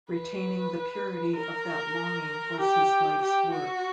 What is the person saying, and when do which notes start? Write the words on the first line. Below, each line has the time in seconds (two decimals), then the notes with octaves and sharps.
Retaining the purity of that longing was his life's work.
0.13 B4
1.36 A#4
2.60 G4
3.22 G4
3.52 F#4